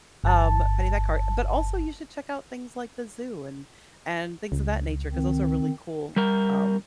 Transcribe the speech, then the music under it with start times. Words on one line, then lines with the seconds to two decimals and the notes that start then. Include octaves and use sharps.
um, Pennypack car but also you should check out things like the zoo and and things of that nature 'cause those are really cool, um,
0.24 G1 A5
4.52 C#2
5.13 D#3 C4
6.16 G3 A#4